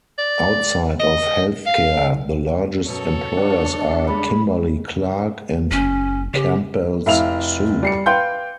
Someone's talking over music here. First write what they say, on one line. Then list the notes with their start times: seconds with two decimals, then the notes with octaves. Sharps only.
Outside of healthcare, the largest employers are Kimberly-Clark, and Campbell's Soup.
0.18 D5
1.00 D#5
1.66 F5
2.88 F#2 B2 A4 C#5
3.37 F#3 B3 D4 F4
4.08 C#3 G3 G#3 B5
5.71 F#1 C#4
6.34 C#3 G4
7.06 F1 E4 E5 F5 F7
7.83 G3 C7 C#7
8.06 B4 F5 G5 C6 G6